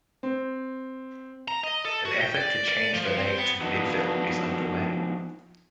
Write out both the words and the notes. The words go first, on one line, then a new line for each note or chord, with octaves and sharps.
An effort to change the name to MidVil is underway.
C4
A#5
D#5
A4
F#4
G5
D5
D5
F3
C4
B3
F3 B3 D4 D#4 F#4